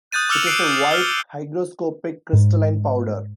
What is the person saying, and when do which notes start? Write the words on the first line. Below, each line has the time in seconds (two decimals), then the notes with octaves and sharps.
It is a white, hygroscopic crystalline powder.
0.12 D#6 F#6 G6 A6 D#7
0.29 D6 E6 F6 C#7 F7 F#7
0.47 F#6 C7 D7
0.62 G6
0.91 F6 G7
2.33 G#2